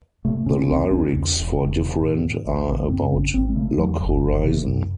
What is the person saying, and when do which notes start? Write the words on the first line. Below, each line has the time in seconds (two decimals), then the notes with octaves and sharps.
The lyrics for "Different" are about "Log Horizon".
0.25 C3 A3
0.46 C3 C#4
0.64 C#4
0.69 C2 C4
0.91 C2 C#4
1.13 E2
1.35 E1
1.57 E1
1.80 C#3
2.01 A2
2.24 A2
2.46 A1
2.68 A1
2.89 F#2 C4
3.12 G#1 C#4
3.33 G#1 C4
3.49 G#3
3.55 C#3 A3
3.77 E2 F#3
4.00 F#1
4.22 F#1
4.44 C3
4.66 F#2